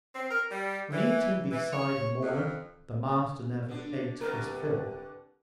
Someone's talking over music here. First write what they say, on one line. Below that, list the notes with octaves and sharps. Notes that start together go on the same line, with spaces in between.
When eating beside a mourner the Master never ate his fill.
C4
A#4
G3
E3
E3
C#5
F2
D3 D4
C2 B2 D3 E4 G4 A#4 B4